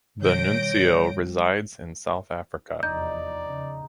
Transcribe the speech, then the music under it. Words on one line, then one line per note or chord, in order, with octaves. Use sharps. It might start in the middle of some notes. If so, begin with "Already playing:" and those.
The nuncio resides in South Africa.
B2 D#3 G3 C#5 G6 A#6 D7
F1 E2 F3 D#4 D5 G6
C#3